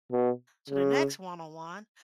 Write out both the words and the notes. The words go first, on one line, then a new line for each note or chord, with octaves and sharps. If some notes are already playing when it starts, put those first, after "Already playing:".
So the next one-on-one,
B2
C#3